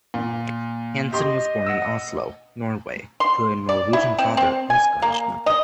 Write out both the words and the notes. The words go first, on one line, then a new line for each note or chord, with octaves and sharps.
Hansen was born in Oslo, Norway to a Norwegian father and Scottish mother.
A#2
G4 D#5 C6
F#5 E6
C6
D5
E4
C4
C4
G#5
A#3
D#5